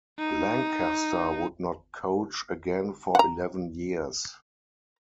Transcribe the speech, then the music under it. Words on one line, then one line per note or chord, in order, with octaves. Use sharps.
Lancaster would not coach again for eleven years.
D#4
F#5 A#5